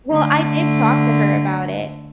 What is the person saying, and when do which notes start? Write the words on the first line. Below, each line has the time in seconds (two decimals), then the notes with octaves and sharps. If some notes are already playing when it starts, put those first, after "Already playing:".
Well, I did talk to her about it,
0.11 D3 A3